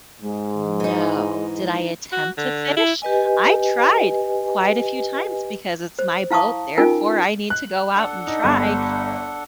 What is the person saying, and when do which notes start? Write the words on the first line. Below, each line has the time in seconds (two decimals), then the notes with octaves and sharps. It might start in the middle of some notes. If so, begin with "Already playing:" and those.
No. Did I attempt to fish? I tried quite a few times because it's my boat, therefore I need to go out and try,
0.22 G#2 G#3
0.80 E3 D#4
2.12 F#4
2.37 D3
2.77 E4
3.02 G4 B4 D#5 G#5
5.99 C5
6.31 E4 F5 A5 C#6 D#6
6.77 C#4 D#4 F4 A#4 G#5
7.50 F#6
7.95 D4 A4 F#5
8.27 D#4
8.44 G1